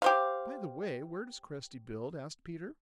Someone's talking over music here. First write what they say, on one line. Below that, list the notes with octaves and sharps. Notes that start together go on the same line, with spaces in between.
"By the way, where does Cresty build?" asked Peter.
G4 C5 F5